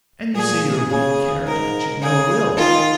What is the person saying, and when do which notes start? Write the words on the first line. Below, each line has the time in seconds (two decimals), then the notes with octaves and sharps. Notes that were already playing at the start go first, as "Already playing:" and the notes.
"And you say you're a weak character, that you've no will."
0.34 A#2 G#4
0.90 C#3 G#4
1.45 G#2 A#4
2.01 C#3 G#4
2.56 D#3 F4